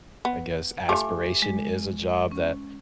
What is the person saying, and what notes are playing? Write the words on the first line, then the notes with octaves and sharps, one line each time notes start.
I guess, aspiration is a job that,
B3
A3 F4 G4 G#5 D6
G#3
C#4